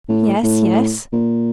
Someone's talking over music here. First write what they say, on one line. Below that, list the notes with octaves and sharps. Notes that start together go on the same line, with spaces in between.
"Yes, yes!"
A2
A2
A#2